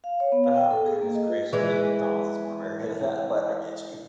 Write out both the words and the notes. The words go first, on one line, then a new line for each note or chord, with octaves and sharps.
Oh goodness gracious, I think McDonald's is more America than that, but I get you.
F5
C#5
B3
F5
G5
A4
G#4
A#3
D#5
F4
E3 G#3